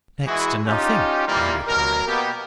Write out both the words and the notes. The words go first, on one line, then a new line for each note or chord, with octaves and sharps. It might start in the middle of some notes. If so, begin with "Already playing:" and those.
"Next to nothing," I replied.
E3 G#3 E4 F#4 G#4
C#4 D#4 F4 G4
A#2 E3 G3 A#3 F4
B2 F#3 A#4
B2 A#3 B3 G4